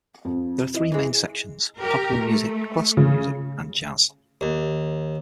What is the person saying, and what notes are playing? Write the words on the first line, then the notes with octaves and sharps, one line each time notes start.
There are three main sections - popular music, classical music, and jazz.
F2
E4 D#5
E3 G#3
G4 A#4
A3
C#3
D#2